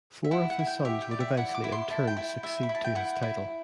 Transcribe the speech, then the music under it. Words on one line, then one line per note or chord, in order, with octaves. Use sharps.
Four of his sons would eventually in turn succeed to his title.
E5
E4 F#5
F#5
E4
G5
G4 E5
G5
D5
E5
E4 F#5
D6
E4
C6
E4 A5
G5
E4
E4 E5
B5
E4
A5
G5
E4 F#5
E4